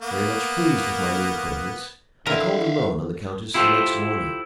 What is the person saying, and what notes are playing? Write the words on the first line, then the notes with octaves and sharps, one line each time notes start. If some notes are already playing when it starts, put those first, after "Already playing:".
Very much pleased with my new acquaintance, I called alone on the countess the next morning.
A#3 B3
D3 C4 E4 A#4 E5 F5
E4 F4 G4 A4 C5